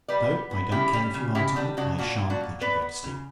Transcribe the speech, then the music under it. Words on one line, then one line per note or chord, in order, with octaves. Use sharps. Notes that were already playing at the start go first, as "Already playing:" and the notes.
No; I don't care if you are tired, I SHAN'T let you go to sleep.
G3 B4 D5
B3
B3
C#3 E4 G4
G3
C#3
C#3 E4 G4
G3 D4
C#3 D4 F#4
A#2 D4 F#4
A#2
D4 F#4
A#2
B3 B4 D5
B3
C#3